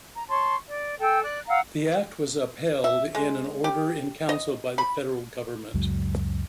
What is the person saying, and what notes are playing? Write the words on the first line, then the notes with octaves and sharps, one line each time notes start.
The act was upheld in an Order in Council by the federal government.
A#5
C#5 A5 C6 C#6
D5
A4 G5 G#5 E6
D5 F#6
F5 F#5 A#5 E6
E5
G#3
G4
D#5
B5
C#2 F#2 F#3 G#3